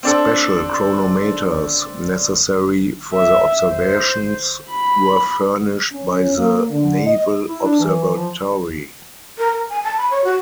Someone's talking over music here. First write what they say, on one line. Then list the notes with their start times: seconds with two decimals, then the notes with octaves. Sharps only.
Special chronometers necessary for the observations were furnished by the Naval Observatory.
0.03 C4 D4 A4
3.14 E5
3.72 C5
4.71 B5
5.92 C#4
6.37 A#3
6.70 D3
7.06 D#5
7.49 E4
7.65 D4
7.80 E3
8.16 F3
9.38 A#4
9.52 A#4
9.69 G#5
9.84 A5
9.98 B5
10.11 C#5
10.24 F#4